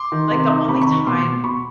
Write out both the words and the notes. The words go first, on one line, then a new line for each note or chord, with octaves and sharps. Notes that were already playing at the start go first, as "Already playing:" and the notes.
Like, the only time
Already playing: C6 D6
D#3
C3
D#3
C3 B5 C#6
B5 C#6
D#3
B2 C6 D6
B2
B2 B5 C#6